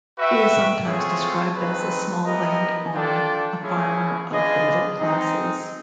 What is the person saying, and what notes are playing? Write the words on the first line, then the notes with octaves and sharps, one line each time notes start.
He is sometimes described as a small landowner, a farmer of the middle classes.
F#4 B4 E5 G5
A3 C4 F4 G#4 C#5
A3 C4 D#4 G#4 B4
B3 E4 G4 A#4 D#5
D4 F4 A4 D5 G5
A#3 C#4 E4 G#4 C#5
D4 F4 G#4 B4 D#5
G#3 C4 D#4